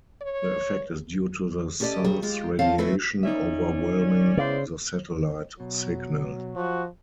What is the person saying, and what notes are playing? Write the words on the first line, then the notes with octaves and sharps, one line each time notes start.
The effect is due to the Sun's radiation overwhelming the satellite signal.
C#5
C#4 G4 A4 C5 D5 D#5
G2 G3 G#4 A#4 C#5
G#3 F4 G4
F3 C4 A4 C#5 F5 A5
G#2 E3 A3 C4 E4 B4
C#4 D#4 D5 E5
C#3 G#3 B3 E4 C5 D5
B2 F#3
F3 F#4